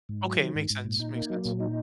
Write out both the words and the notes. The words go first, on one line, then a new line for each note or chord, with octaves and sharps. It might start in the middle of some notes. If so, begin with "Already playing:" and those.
Okay, makes sense, makes sense.
G#2
F#3
D#3
G#2
G#2
A#2
D#4
A#3
F#3
A#2
D#4